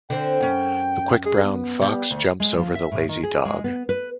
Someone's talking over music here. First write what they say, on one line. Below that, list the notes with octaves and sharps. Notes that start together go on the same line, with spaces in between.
The quick brown fox jumps over the lazy dog.
D3 C4 G5
F#2 C#4
G#4
B3
G3
D2
G#3
F3
E5
A2
D#3
G#4
G#3
B3
B4